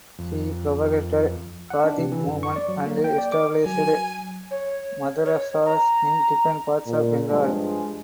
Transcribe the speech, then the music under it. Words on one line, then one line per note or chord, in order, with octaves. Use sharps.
He propagated Hadith movement and established Madrasahs in different parts of Bengal.
F2
F#5
D4
C3
E3
F#2
C#6
D5
F#3
A#3
G5
D5
D6
F#3 G#5
C#5
C#5
A#5
A#2
G2 F3 G#3